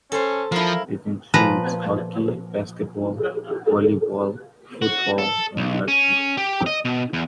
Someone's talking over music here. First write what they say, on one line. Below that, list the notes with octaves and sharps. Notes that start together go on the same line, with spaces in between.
It includes; hockey, basketball, volleyball, football and rugby.
C#4 A4 C5
F3 E4 A#4 F5
A#2 F3 B4 A#5
F#4
A4
B1
C#4
G4
D#5
B2
E2